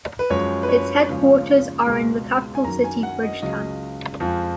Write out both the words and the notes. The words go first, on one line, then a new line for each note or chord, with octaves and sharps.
Its headquarters are in the capital-city Bridgetown.
B4
F#2 F3 G#3 C#5
B4
C#5
D#2 C#3 F3 G#3
C#2 B2 G#3
G#5
F#2 D#3 F#3 A#5
G#5
F#5
D#5
C#2 C#3 F#3 D#5
F2 F3 G#3